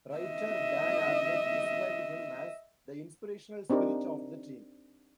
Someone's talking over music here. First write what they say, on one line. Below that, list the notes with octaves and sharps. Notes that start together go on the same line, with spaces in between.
Writer Dan Abnett described him as "the inspirational spirit" of the team.
D#5 E5
C4 D4 D#4 G4 A#4